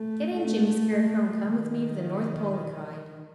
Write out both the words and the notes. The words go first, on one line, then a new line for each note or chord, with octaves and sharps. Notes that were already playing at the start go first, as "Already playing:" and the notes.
"Get in, Jimmy Scarecrow, and come with me to the North Pole!" he cried.
Already playing: A3
A3
D#3